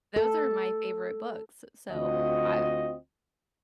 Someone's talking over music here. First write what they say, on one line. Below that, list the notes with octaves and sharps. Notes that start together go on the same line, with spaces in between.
Those are my favorite books, s so I
A4
D2 C4 F4 F#4 D#5